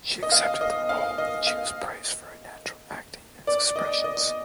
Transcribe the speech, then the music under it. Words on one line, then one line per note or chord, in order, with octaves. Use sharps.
She accepted the role and she was praised for her natural acting and expressions.
D#5
F5
D#5
F5
D#5
F5
D5
D#5
D#5